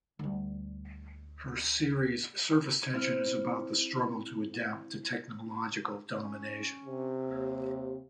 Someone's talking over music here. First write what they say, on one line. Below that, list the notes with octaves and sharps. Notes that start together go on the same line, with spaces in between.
Her series "Surface Tension" is about the struggle to adapt to technological domination.
D2 G3
C4 E4 F6
C#4
C3
D#2